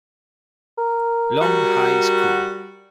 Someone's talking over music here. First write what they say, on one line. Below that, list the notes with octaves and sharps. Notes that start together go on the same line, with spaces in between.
Long High School.
A#4
G3 F#4